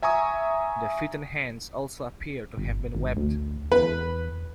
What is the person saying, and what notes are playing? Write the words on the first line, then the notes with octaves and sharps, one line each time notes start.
The feet and hands also appear to have been webbed.
E5 G#5 A#5 C#6 D#6
G1
G#1
D2
E2 B4